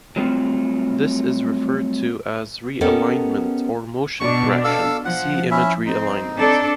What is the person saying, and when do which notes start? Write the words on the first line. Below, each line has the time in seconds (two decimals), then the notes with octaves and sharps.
This is referred to as "realignment" or "motion correction", see image realignment.
0.16 F#3 G3 A3 C4 F4
2.81 B3 C#4 G4 A4 A#4 D#5
4.20 B2 D4 C#6
4.64 A4 F5 E6
5.05 F3 F#5
5.51 C#4 E4 E5
5.85 C4 D#4
6.34 C4 D4 A4